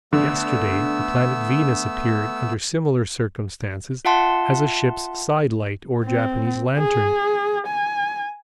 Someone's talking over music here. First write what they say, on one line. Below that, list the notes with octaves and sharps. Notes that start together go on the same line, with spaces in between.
Yesterday the planet Venus appeared under similar circumstances as a ship's side-light or Japanese lantern.
D3 A3 B3 E6
F4 E5 F#5 A5 C6
C4
G#4
G#5